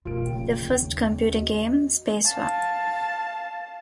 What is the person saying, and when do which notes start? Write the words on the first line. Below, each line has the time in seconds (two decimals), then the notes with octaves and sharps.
The first computer game, Spacewar!
0.05 B2 A3 F4 A#4 D7
0.25 F#1 C#3 A3 G5
0.38 F3
0.65 D#2
1.32 F#4 D#5
2.24 F5 A5